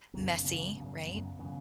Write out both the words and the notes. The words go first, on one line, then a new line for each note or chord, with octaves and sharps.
messy, right?
F#2 C#3 F#3 B3
F#2 C#3 F#3 B3
F#2 C#3 F#3 B3
F#2 C#3 F#3 B3
C#3 E3 B3